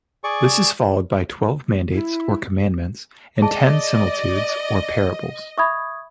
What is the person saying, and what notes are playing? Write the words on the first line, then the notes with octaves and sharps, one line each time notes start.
This is followed by twelve mandates or commandments, and ten similitudes, or parables.
G#4 D5 C#6
E4
G#4 D5 D#5 A5
D#5 E5 B5 C#6 D#6 G#6